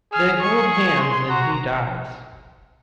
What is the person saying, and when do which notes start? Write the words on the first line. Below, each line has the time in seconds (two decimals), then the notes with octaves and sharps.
They hold hands and he dies.
0.13 G#4 F6
0.42 G#4 C#6
0.72 C#6
1.01 C6
1.29 F#4 A#5